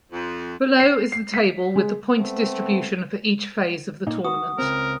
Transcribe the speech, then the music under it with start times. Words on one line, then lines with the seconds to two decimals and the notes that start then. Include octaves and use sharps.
Below is the table with the point distribution for each phase of the tournament.
0.12 F2
0.80 C7
1.12 C7
1.34 B6
1.76 G#3
2.18 A3 B3 C4
4.07 A#2 D#4
4.25 F#4 D#6
4.59 C#2 C4 A#4